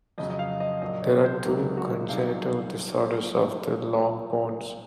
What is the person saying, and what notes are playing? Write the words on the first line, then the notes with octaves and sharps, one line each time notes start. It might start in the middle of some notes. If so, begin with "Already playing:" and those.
There are two congenital disorders of the long bones.
F2 C#3 F#3 D#5
D#5
F5
D#5
A#1 A#2 F#3 D#5
C#5
C5
C5
C#2 C3 D#3 F#3 A#4
F#4
C2 C3 D#3 F#3 F5